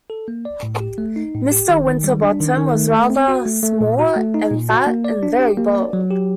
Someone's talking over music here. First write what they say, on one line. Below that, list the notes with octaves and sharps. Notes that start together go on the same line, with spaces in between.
Mr. Winterbottom was rather small and fat, and very bald.
A4
A#3
D5
A2
G4
A3
D#4
A2
G4
D#3
D#3
G3
D4
D#3
D#3
A3
A3
C4
F#4
A3
A3
A#2
F#4
A3
D#4
A#2
F#4
A#3
D5
D4
G4
A#3
D5
F#3
G4